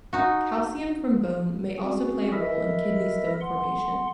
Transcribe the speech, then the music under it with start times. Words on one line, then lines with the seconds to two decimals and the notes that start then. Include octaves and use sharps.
Calcium from bone may also play a role in kidney stone formation.
0.13 D#4 F#4
1.79 C4 C#4 F#4 G#4
2.32 E4 A4 A#4 D#5 E5
3.40 F#5 C6